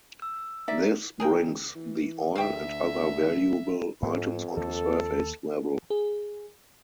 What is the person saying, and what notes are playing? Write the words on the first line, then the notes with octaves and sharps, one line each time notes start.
This brings the oil and other valuable items onto surface level.
E6
D#4 D5 E5
C#2 G#4 A#4 G5
E3
D2 E5 F5 G5
F2 G#2 G#3 B3
D#2 A#3 A4
G#4